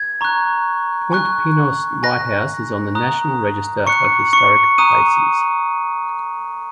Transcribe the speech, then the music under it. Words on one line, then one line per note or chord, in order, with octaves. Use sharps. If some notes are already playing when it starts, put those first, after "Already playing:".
Point Pinos Lighthouse is on the National Register of Historic Places.
Already playing: G#6
A#5 C#6 F#6
G#5 C#6 F#6
G#5 F#6 A#6
A#5 D#6 F#6
A#5 C#6 F#6 C#7
C#6 C#7
A#5 D#6 F#6 D#7